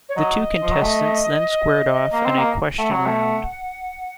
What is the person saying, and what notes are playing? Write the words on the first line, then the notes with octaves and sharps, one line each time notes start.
The two contestants then squared off in a question round.
C#5
F#3 D#5
F3
F#3
A3
A#3
C4
A#3
A3 F#5
F#3
A3